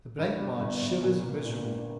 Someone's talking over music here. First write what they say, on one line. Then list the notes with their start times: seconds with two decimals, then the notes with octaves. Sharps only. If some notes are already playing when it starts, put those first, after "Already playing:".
The blancmange shivers miserably.
0.18 G2
0.39 G3
0.60 G1
0.81 G1
1.02 A#2
1.24 A#3
1.45 A#1
1.66 A#1